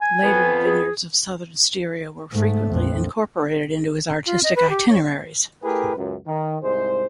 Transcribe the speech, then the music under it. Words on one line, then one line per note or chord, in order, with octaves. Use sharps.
Later the vineyards of southern Styria were frequently incorporated into his artistic itineraries.
G#5
F2 B3
G#4
G#2 A3
A#1 F2
F4
D#5
B4
G4
C#5
A3 E4 G4 G#4 A#4 B4
C#2 F#2
D#3
C2 G#2 G#3 C5